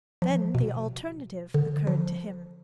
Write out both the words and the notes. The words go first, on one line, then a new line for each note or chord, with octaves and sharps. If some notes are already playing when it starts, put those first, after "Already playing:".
Then the alternative occurred to him.
F3
B2
D3
F3